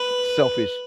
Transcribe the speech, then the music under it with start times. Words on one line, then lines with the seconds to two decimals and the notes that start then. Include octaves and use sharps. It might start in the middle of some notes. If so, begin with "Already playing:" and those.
eh, selfish,
Already playing: B4